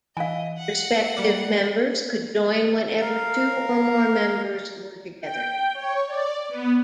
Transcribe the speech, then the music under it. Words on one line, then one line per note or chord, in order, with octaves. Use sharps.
Prospective members could join whenever two or more members were together.
E3 D#5 F5 G#5
F#5
G3 A#3 D5
A#4 F5
G5
C#5
D5
B3